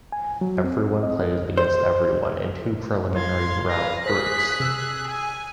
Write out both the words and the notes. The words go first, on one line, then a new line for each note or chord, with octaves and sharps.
"Everyone plays against everyone" in two preliminary round groups.
G#5
F#3
C4
D#5
C5
F#3 E4 F4 F5 C6 G#6
B4 F5 A#6
G#4 A#4 C5 F#6 B6
C3 E6
G#5